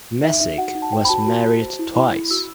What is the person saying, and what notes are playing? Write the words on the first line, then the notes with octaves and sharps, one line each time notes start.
Messick was married twice.
D#4 E5
D#4 E5
F#4 F#5
D#4
A5
C5 G5
B5
F#4 A5
F#4
F#4
C5
E4
E4 B5
E4
F#4 E6